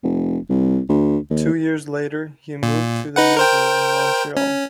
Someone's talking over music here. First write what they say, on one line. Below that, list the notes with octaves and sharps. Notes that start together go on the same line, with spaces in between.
Two years later, he moved to the newsroom in Montreal.
F1
C2
D2
D#2
A#2
D#4 B4 F#5
A#4 C5 G5
C#4